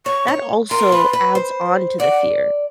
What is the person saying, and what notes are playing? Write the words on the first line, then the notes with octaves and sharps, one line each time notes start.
that also adds on to the fear,
C#5 C#6
C#5
A#4 C6
B4
B4
C5
D5 F#5